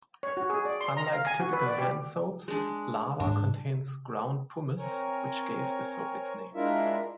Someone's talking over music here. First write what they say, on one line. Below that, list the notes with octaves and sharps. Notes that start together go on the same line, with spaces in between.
Unlike typical hand soaps, Lava contains ground pumice, which gave the soap its name.
C#5
F#4
G#4
D5
C6
A#5
F5
G#5
F#4
B4
D5
G4
G#3 D4
G#2 G3 D4
C4 A#4 C#5 G#5
G#3 D4 E4 F4 A#4 E5